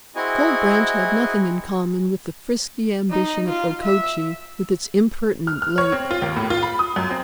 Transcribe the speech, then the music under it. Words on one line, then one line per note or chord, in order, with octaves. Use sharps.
Cold Branch had nothing in common with the frisky ambition of Okochee with its impertinent lake.
C4 E4 F#4 G#4 D#5 G#5
D#4
F4
E5
F6
F6
C#5
C4
F4
D#2
A2
F4
B5
D#6
F#2
C4